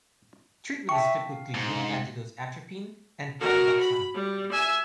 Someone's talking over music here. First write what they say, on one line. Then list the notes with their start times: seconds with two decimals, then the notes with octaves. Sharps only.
Treatment is typically with the antidotes, atropine and pralidoxime.
0.89 E5 G5 A5 C#6
1.25 F5
1.54 G#2
3.40 F#4 A#4
3.81 B5
4.14 G3
4.52 E5 G#5